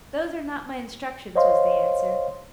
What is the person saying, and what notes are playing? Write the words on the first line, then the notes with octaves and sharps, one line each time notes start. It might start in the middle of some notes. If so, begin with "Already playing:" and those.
'Those are not my instructions,' was the answer.
C5 C#5 D#5 F5 C6